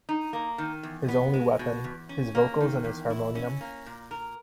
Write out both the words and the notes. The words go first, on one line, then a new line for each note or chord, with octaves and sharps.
His only weapon: his vocals and his harmonium.
D#4
A#3
D#3
E2
B3
G#3
B2
E2
C#4
A#3
D#3
E2
E4
C#4
A#3
A#2
A#4